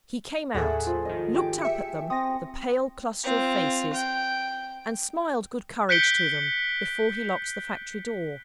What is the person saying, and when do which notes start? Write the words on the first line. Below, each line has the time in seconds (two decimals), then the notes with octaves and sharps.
He came out, looked up at them--the pale cluster of faces--and smiled good courage to them, before he locked the factory-door.
0.54 D#2 A2 G#4 A4 E5 F#5
0.86 F3
1.05 G#1 D#3 D#5
1.34 G4 G#4 D6
1.62 E5 C#7
2.10 C4 D#6 A#6
3.24 C4 F4
3.93 G5
5.89 F#6 G6 B6 C#7 D7 G7